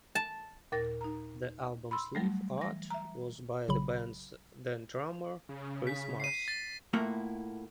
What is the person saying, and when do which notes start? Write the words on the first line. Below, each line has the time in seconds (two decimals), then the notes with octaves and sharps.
The album sleeve art was by the band's then-drummer, Chris Mars.
0.15 A5
0.72 D#2 A#2 A#4 A6 A#6
1.01 D#4 A#5
1.91 B5 C6 E6
2.15 F#3 G3 A3
2.58 E3 A#6
2.91 E5 A#5
3.68 A#1 C#3 F#3 B5
5.49 C#3
5.87 B6
6.20 C7 D#7
6.48 A6
6.93 A2 A3 A#3 E4 F4 F#5